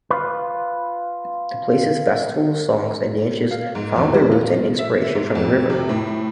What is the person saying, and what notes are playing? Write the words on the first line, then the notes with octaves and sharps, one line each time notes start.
The place's festivals, songs and dances found their roots and inspiration from the river.
F4 B4
F5
G#2
E2
G3
F4
E5
G#2
F2
C3
A2